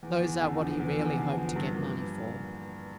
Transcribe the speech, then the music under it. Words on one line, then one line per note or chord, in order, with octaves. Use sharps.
Those are what he really hoped to get money for.
E2
E2
D3
F3
E2
E2
D3
F3
G2
A#3